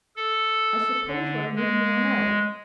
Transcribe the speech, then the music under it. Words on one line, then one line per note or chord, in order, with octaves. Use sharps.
I suppose you are maybe worn out.
A4
D3
G#3